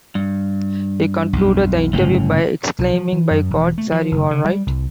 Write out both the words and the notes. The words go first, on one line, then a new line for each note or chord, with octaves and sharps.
He concluded the interview by exclaiming By God, Sir, you are right.
G2
B1 F2
G1 F#2 A2 C#3
B1
F3
E3
F#2
E1
A3
F3
F#1
C#3
G3
C2